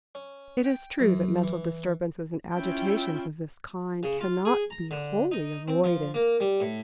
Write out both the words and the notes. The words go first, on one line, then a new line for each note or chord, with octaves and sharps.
It is true that mental disturbances and agitations of this kind can not be wholly avoided.
C#4
G5
F#2
E3
C#4 E4 F4 E5 G5
C#3
F4
G#4
A#5
D3
D#4
C4
F3
A#3
G3
A2